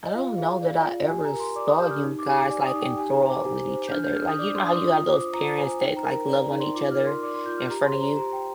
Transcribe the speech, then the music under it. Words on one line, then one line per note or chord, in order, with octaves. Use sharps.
"I don't know that I ever saw you guys, like, enthralled with each other." Like, you know how you have those parents that, like, love on each other in front of you.
D#5
F4 F5
G#4 F5
D5
F4
G4 G#5
A#5
A#4
C6
D5 D6
D#6
G4 G6
F6
D#4
D6
G4
D6
D5 G#5
D#6
D#4
G5
G4 G#5
A#5
C5
D6
G4
C5
G6
D4 F6
G6
G#4 F6
D#6
D5 D6
C6
D4 D#6
D6
F4 D#6
C5 D6
F4 A#5
C5 G#5
D#4 G5
A#5
A#4
A#5
D5 A#5
A#5
D#4
C6
F4 D6
F6
A#4
C6
D5 D6
C6
F4 G6
F6
G4 A#5
C6
C5
A#5
G4 A#5
G5